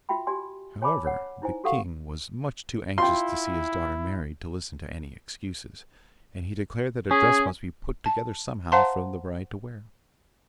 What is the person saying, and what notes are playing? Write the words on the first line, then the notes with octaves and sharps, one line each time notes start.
However, the king was much too anxious to see his daughter married to listen to any excuses, and he declared that a dress must be put together somehow for the bride to wear.
F4 F#4 E5 G5 B5
F#4 G4 D5 G#5 C6
C#5 G#5 A5 B5 D6
C#5 F#5
D#4 E4 C5 G#5
F#4 G4 A4 F5 F#5 C#6
E4 F4 G5 C6
C#4 G#4
A5
C5 F5 F#5 A5 A#5 C6